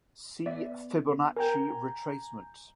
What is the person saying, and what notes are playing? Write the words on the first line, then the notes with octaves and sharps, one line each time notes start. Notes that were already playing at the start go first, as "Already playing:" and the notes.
See Fibonacci retracement.
B3 D5 E5
A#4 G5 G#5 A#5 G6